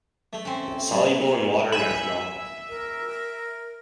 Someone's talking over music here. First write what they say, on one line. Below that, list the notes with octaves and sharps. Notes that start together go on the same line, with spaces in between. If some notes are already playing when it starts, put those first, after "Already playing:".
Soluble in water and ethanol.
A3
C4 C#4
G2
E5 G#5 B5
A#4